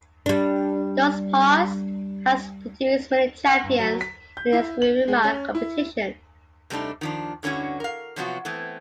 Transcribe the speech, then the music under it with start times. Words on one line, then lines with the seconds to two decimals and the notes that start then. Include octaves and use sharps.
Doce Pares has produced many champions in "Eskrima" competitions.
0.26 G3 D4
3.47 F#5
3.64 G2
3.79 F#3
4.01 B6
4.37 G6
4.53 E4
4.82 F#7
5.08 G#3
5.24 C#4
5.55 E4
6.70 C3 G3 A3 D4 D#4
7.01 D#3 F3 D4
7.43 G2 D3 C#4 E4 F#4
7.80 A#4 F5
8.16 C3 F3 F#3 B3 F4 F#4
8.45 E3 A3 B3 C4